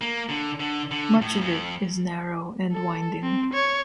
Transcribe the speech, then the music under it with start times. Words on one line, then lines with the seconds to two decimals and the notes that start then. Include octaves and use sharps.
Much of it is narrow and winding.
0.01 A#3
0.29 D3
0.60 D3
0.91 D3
1.22 A2
1.41 F2
2.72 A4
3.22 C4
3.53 C#5